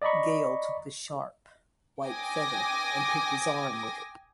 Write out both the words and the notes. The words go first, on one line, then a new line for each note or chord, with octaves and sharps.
Gale took the sharp white feather and pricked his arm with it.
D5 D#5 A#5 B5 C#6
G5 G#5 D6 D#6 A#6